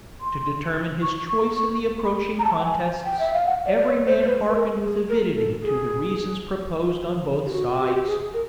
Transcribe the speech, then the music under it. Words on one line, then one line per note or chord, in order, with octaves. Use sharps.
To determine his choice in the approaching contests, every man hearkened with avidity to the reasons proposed on both sides.
C6
C#6
C#6
C#6
B5
A#5
A5
G5
G#5
G5
E5
F5
F#5
D5
D5
C#5
C5
C5
B4
B4
A#4
G#4
A#4
A4
G#4
G4
F#4
G4
F#4
G4
G#4
A#4